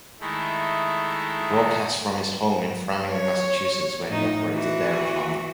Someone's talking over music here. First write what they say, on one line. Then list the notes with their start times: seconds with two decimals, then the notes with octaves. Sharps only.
He broadcasts from his home in Framingham, Massachusetts, where he operates a dairy farm.
0.20 D#3 G#3 A3 E4
3.09 C#5
4.09 A2 D#4
4.51 E3 F#4